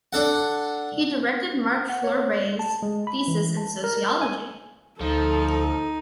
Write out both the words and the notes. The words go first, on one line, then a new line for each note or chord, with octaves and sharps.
He directed Marc Fleurbaey’s thesis in Sociology.
D4 A4 F#5
F#5
C#5
A5
G#3
B5
E3
A5
A#4
A#4
G#5
D2 F3 D#4 A4